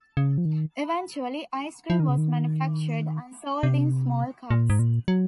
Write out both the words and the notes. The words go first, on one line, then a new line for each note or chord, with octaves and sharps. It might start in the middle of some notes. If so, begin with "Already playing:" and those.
Eventually, ice cream was manufactured and sold in small cups.
C#3
F3
D#3
F3
D#3
C#3
D#3
C3
A#2
G#2
A#2
F#3